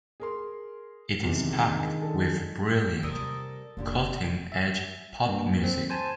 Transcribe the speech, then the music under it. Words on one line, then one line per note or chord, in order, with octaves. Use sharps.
It is packed with brilliant, cutting-edge pop music.
G#4 A#4 C6
E2 C3 D#3 G#3 D4
A4
C3 G3 C4 A4 A#4 D#6
F1 A#2 D3 G4
E5
G2 A#3
C4
C5 G#5 A5